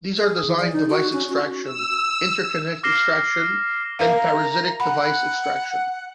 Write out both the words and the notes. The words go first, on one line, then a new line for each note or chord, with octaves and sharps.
These are designed device extraction, interconnect extraction, and parasitic device extraction.
G#4
E3
D5
D#4
F#4
C#4
F#4
E6
D6 F6 A#6 C7 E7 G7
A#4 E5 F5 A#5
F#5 B5